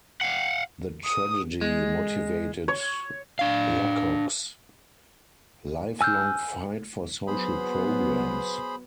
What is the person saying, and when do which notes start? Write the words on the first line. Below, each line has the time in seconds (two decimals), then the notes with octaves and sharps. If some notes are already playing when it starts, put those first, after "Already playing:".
The tragedy motivated Luckock's lifelong fight for social programs.
0.21 F5 F#5
1.05 D#6
1.61 G#3
2.68 C#5
3.39 D4 F5
6.01 G#5 E6 F6 G6
7.27 F#3 B3 G#4 C5 B5